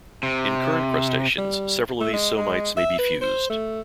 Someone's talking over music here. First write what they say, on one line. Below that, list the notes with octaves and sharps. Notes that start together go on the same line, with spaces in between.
In current crustaceans, several of those somites may be fused.
C3
G3
A3
G#3
G#3
E5
B4
C5
A3